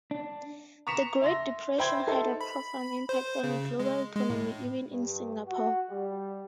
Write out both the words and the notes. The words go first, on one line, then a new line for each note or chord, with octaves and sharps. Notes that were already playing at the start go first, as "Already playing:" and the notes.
The Great Depression had a profound impact on the global economy, even in Singapore.
D4
A#5 C#6 B6 C#7 E7 F7
E5 C6 A#6
C5 E5 G5 B5 C6 G#6
D#4 A4 C5 E5
B5
C5
C#3
G#3
G#3
A2
G2
F#4
G3